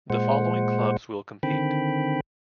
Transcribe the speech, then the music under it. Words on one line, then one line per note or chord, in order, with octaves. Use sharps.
The following clubs will compete.
A#2 G#3 C5 F#5
D3 D#3 C4 G5 B5